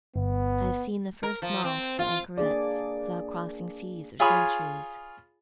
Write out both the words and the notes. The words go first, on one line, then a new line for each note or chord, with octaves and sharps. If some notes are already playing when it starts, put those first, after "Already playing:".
I have seen the first monks and anchorets, without crossing seas or centuries.
G1 B3
A#4
F3
C4
F4
A#3 D4 G#4 D5
F4 G#4 C#5 G#5 B5 D#6